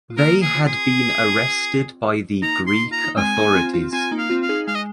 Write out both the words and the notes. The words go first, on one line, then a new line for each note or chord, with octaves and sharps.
They had been arrested by the Greek authorities.
F4
A#3 D#4 A#4
G#4
C4 F4
G#4
A#3 D#4 A#5
C6
F4 A#5
D#4
G#3 C4 G#5
A#3 D#4
C4 F4
C4 F4
C4 F4 G#5
A#3 D#4
F5
C4 F4
F5
D#4 G#4
G#3 F5
D#5